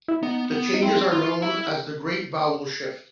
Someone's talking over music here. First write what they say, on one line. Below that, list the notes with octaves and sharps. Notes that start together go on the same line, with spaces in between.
The changes are known as the Great Vowel Shift.
E4
B3 D#4
B3
D#4
C4 E4
D#4
E4 F4
E4